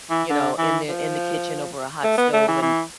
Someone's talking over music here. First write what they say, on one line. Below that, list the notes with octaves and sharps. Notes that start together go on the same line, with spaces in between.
you know, in the in the kitchen over a hot stove and
E3
D3
E3
F3
A3
B3
A3
E3
E3